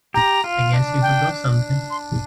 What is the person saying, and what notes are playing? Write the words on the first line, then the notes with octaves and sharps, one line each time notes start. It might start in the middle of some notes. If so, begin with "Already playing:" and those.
I guess you forgot something.
G4 A#5
F4
D4
G5
C6